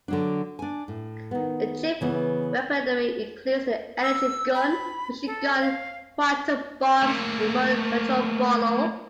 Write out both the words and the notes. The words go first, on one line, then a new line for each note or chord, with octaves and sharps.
The chip-weaponry includes the Energy Gun, Fusion Gun, Quantum Bombs and Remote-Controlled Bolo.
D3 F#3 D4
D4 G#5
A2
D#3 B3
C#3 E3 B3
E6
B5
A4
F5
A3 A#3